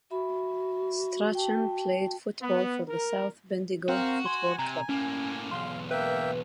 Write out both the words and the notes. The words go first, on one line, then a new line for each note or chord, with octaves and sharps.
Strachan played football for the South Bendigo Football Club.
F#4 E5 B5
G5 A5
B3
A#4
C4 F#4 A#4 C5 F5
G#5 C6
C3 A#5
A2 A#3 C#4
B1 E2 F5 C6
A#3 B4 E5 G5